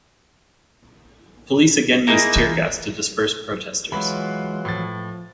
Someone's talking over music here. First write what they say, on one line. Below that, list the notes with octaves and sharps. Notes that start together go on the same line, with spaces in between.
Police again used tear gas to disperse protesters.
A#3 D#4 E4 G#4 A#4
E3
E3 F#3 G#3 F4 B5
A2 F3 A6